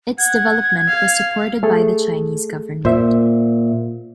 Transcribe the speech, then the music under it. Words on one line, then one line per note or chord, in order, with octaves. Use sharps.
Its development was supported by the Chinese government.
F#5 G#6
F5
A3 G#4 A4
A#2 C5 E5